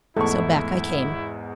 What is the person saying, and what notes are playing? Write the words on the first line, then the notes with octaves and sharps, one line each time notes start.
So back I came.
E2 G#2 A3 E4 A4 C#6